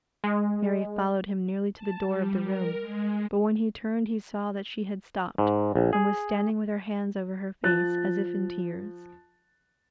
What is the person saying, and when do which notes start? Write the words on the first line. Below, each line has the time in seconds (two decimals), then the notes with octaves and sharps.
Mary followed him nearly to the door of the room, but when he turned he saw that she had stopped, and was standing with her hands over her face, as if in tears.
0.24 G#3
1.75 A5
2.06 G3
2.43 A#4
2.81 G#3
5.38 G#2
5.75 A#1
5.93 G#4
7.64 F3 F#6 A6